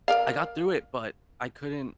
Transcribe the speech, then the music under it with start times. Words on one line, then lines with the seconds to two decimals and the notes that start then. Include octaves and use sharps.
I got through it, but I couldn't
0.08 A#4 D5 F5